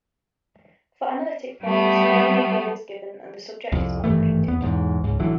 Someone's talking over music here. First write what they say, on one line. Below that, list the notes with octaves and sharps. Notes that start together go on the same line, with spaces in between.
For analytic forms, only the verb is given and the subject is not repeated.
G3 A3 B3
C2 F2
G#1 G2 E3 A3
E2 B3
B1 E2 G#2
C#2 G#2
A1 D3 E3 F#3